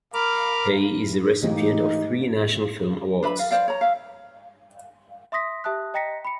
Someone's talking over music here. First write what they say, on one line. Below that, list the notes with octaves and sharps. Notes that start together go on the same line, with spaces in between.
He is the recipient of three National Film Awards.
A#4 A#5 B5 D6 F6
G#2 E3 A3 D#4 G4
D4 B4 E5 B5
F5
C5 D5 F5
C#5 A#5
E5 F5
E5 C6 D#6 A#6 B6
G4 E5 A5 D#6 F#6
D#5 G5 A#5 A#6 B6 C#7
B5 C#7